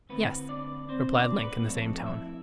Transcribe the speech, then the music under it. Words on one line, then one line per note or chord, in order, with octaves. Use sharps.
"Yes," replied Link in the same tone.
D3 A3 B3 C4 E4 B4
D4 D5
C4 C5
D4 D5
B3 B4
F3 A3 C4 E4 A4
E4 E5